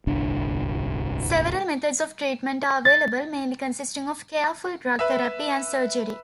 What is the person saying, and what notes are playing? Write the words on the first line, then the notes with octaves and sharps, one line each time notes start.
Several methods of treatment are available, mainly consisting of careful drug therapy and surgery.
D1 G1 C2 D4
A6
B4 E5